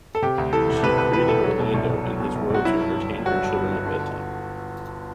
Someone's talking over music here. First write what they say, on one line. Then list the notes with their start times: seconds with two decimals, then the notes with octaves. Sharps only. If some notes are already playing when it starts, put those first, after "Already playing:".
She created Orlando and his world to entertain her children at bedtime.
0.15 A4
0.22 C3 G4
0.38 D2
0.53 E3 A4
0.68 E1
0.83 C3 B4
0.98 D2 B4
1.13 E3 B4
1.29 E1 A4
1.44 F#3
1.59 B2
1.74 C2
1.90 C2
2.04 F#3
2.20 B2
2.35 C2
2.50 C2 F#4
2.65 F#3 E4
2.80 G2
2.96 G1
3.11 G1
3.26 F#3 F#4
3.41 G2
3.56 G1
3.72 G1
3.86 D3